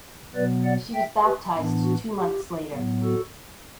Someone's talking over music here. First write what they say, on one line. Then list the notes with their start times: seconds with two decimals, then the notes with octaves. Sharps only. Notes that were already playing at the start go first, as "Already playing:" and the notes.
She was baptized two months later.
0.35 B2 F#3 B3 B4 D5
0.64 D5 F#5
0.94 E5 G5
1.24 G4 B4
1.54 A2 E3 B3 D4
1.83 F#4
2.13 G4
2.73 A2 F#3 B3
3.03 F#4 A4